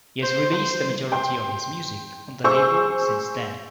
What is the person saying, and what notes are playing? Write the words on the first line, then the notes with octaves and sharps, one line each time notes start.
He has released the majority of his music on the label since then.
C5
C5
G5 C6
G#4 C5 C#6 E6